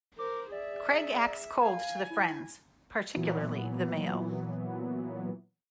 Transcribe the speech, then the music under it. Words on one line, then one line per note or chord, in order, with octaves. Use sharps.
Craig acts cold to the friends, particularly the male.
A#4 C5 D6
G#4 D5 E5
F5 G#5
E4
A#2 E3 F#3 B3